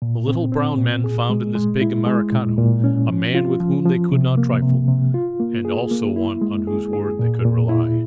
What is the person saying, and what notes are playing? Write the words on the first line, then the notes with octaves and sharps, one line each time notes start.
The little brown men found in this big Americano a man with whom they could not trifle, and also one on whose word they could rely.
A#2
C4
C4
A#2
G#4
G#3
G#3
E4
G#3
A#2
A#2
C#4
F3
F4
F3
F3
C3
A#3
C3
C3
F4
A#3
G#4
A#3
E4
G#3
G#4
G#4
A#2
A#2
E4